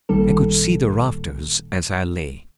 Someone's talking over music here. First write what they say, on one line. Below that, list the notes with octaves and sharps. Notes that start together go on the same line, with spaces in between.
I could see the rafters as I lay.
A1 A#2 D#3 G3 A4